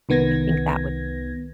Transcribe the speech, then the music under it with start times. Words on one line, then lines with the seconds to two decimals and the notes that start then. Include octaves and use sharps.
I think that would
0.09 C2 D#3 B3 G#6 A#6